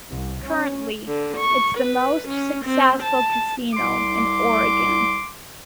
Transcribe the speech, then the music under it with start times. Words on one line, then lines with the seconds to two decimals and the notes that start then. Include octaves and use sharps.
Currently, it's the most successful casino in Oregon.
0.10 C2
0.43 C#4
1.07 D3
1.37 C#6
1.78 B4
2.28 C#4
2.64 C4
3.03 A5
3.74 C2 C6 D6